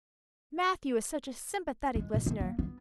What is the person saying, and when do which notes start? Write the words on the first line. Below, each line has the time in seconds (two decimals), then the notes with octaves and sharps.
Matthew is such a sympathetic listener.
1.95 G#3
2.14 B2
2.26 A3
2.40 A#3
2.59 B3